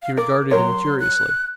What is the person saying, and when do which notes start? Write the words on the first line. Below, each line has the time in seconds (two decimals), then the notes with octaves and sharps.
She regarded him curiously.
0.02 F5
0.17 A#4 D6
0.51 F#3 A#4 C#5 C6
1.00 F#6